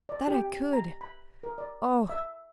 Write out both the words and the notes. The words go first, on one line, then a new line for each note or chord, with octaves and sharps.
That I could!--Oh!
D5
G4
A#5
B5
A#4
D5
E5